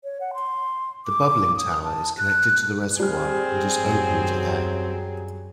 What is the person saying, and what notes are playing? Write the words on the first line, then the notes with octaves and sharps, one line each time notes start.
The bubbling tower is connected to the reservoir and is open to air.
C#5
F#5
C6
D6
D#6
A5
F#6
G3 C4 G#4 F6
F#2 F#3